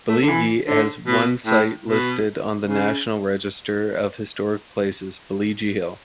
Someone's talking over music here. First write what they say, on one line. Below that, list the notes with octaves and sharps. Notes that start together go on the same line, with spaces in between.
Boligee has one site listed on the National Register of Historic Places, Boligee Hill.
A3
D3
E3
D3
B2
A2
B2
C#3